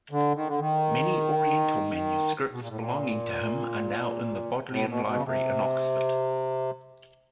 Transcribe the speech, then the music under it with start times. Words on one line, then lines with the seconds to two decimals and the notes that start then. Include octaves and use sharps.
Many oriental manuscripts belonging to him are now in the Bodleian Library in Oxford.
0.11 D3
0.35 D#3
0.47 D3
0.59 D#3
2.52 B2
2.60 A#2
2.69 A2
2.77 A#2
4.69 A2
4.88 B2
5.06 B2
5.15 C#3
5.24 C3